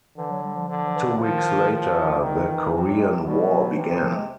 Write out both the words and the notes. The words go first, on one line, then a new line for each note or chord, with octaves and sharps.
Two weeks later the Korean War began.
D3 E3
F#3
G3
F3
D3 F3
F3
E3
D#3 F3
F3
D3 D#3
E3
C3 F3
F#3
G3
G#3
B2 G3
F#3
C3 E3
E3
F3
G#3